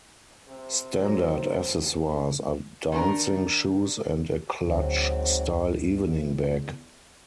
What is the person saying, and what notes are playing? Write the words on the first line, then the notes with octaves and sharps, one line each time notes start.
Standard accessories are dancing shoes and a clutch style evening bag.
C3
F#3 G#3 C5 A#5
D#3 D4 A#4
D2 G#2 F#3 C4
E2